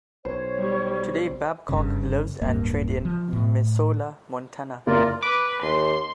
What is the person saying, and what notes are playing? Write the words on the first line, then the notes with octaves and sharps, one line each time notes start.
Today Babcock lives and trained in Missoula, Montana.
B1 C5 C#5
G3
F#1 G2 C#3
D1 B1 G2 A#3
F3
A2
F#1 F4 A#4 D5
B4 D6
D#2 C6